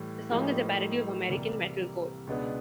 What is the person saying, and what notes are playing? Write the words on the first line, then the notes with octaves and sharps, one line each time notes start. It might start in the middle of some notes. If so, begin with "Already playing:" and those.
The song is a parody of American metalcore.
Already playing: A2 E3 G3
A2 F3 A#3 D#4 G4
C2 C3 E3 G3 A#3
C#2 B2 G#3 B3 D4